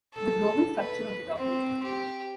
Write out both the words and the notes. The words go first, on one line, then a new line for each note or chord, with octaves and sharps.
The global structure of the document.
A4
B4
C4
G4